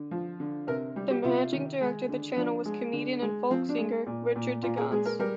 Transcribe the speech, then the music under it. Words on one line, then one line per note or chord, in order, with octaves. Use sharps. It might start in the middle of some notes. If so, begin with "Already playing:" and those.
The managing director of the channel was comedian and folk singer Richard Digance.
Already playing: D3
F3
D3
C3 A#4
G3
G4
C3 F4
D#3
G#3
D3
F3 D4
G#3
D3
G#3
F3 C4
D4
G#3
A#2
A#2
A#2 F4
G#4
G#3 G#4
A#4
G3 A#4